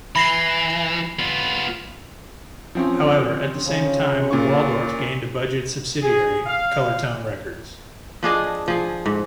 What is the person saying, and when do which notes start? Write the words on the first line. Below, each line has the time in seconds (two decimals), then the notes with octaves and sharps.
However, at the same time Waldorf gained a budget subsidiary, Colortone Records.
0.15 E3 B5 A#6 C7
1.19 B3 F4
2.75 F3 C4 C#4
3.66 C#3
4.31 A#2 C#4 C#6
6.03 G#4
6.46 F5
8.23 F3 D4 G#4 D#5
8.68 F3 G#4
9.06 G#2